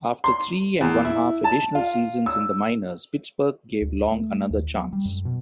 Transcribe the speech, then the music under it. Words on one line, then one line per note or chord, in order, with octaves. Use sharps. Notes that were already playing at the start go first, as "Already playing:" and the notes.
After three and one-half additional seasons in the minors, Pittsburgh gave Long another chance.
C6
E2
E4
A5
F4
E6
D2
A3
D#2
F#3
G3
F#2
B2